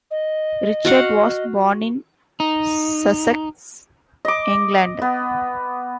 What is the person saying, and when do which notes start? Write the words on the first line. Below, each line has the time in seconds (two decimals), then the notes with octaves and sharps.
Richard was born in Sussex, England.
0.11 D#5
0.85 F#4 F5 F#5
2.40 D#4
4.25 D#5 D6
5.02 B3